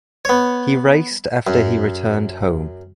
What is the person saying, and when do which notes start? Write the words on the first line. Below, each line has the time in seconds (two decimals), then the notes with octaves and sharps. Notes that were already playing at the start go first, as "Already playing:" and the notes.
He raced after he returned home.
0.25 B3 C#5
1.47 F#2